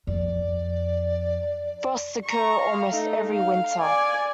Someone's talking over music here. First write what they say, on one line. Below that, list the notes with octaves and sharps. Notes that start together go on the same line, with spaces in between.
Frosts occur almost every winter.
F2 D5
A#5 C#6
F5
A3 D#4
F5
D5 G#5